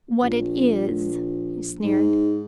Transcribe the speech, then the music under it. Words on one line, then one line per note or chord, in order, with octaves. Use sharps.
"What it is," he sneered.
A#1
G#2